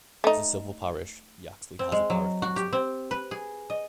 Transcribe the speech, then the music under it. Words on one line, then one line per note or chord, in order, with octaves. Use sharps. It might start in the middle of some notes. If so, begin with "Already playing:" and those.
As a civil parish, Yaxley has a parish council.
A3 D#4
C4
G#3
F#3
F#4
G4
C4
B4
G#4
D#5